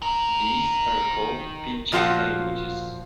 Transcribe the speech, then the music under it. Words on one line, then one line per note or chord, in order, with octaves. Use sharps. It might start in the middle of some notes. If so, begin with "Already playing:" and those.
These are called "pidgin languages".
D#3 A#4
A#2 F3 F4 F#4 F#5